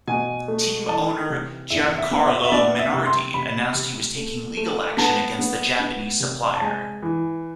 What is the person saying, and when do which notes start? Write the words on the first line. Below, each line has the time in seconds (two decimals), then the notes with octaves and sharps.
Team owner Giancarlo Minardi announced he was taking legal action against the Japanese supplier.
0.08 B2 G#5
0.48 A3
0.88 E3 A5
1.30 C3
1.70 E2 E5
1.98 E5
2.11 B3
2.25 E5
2.44 E5
2.52 B3 D5
2.79 E5
2.94 C3
3.06 C6
3.34 C3 B5
3.75 C3
4.16 A3
4.57 A3
4.97 B3 A5
5.39 B3
5.79 B3
6.20 C3
6.56 A5
6.61 G#3 G#5
7.02 E3